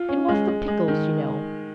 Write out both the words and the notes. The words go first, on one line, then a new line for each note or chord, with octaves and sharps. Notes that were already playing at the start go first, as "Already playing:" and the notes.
It was the pickles, you know.
Already playing: F4
C#4
G#3
G#3
G#3
D#3